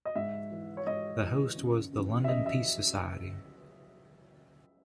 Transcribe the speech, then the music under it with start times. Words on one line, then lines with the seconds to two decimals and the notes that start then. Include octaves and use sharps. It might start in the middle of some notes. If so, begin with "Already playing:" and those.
The host was the London Peace Society.
0.05 D#5
0.16 G#2 E5
0.51 E3
0.77 C#5
0.87 G#2 D#5
1.22 E3
1.57 F#2
1.93 C#3 E3
2.24 E5
2.28 F#2 D#5
2.46 E5